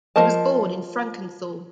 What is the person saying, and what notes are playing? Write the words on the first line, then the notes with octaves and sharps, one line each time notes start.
He was born in Frankenthal.
F3 A#4 D#5 A5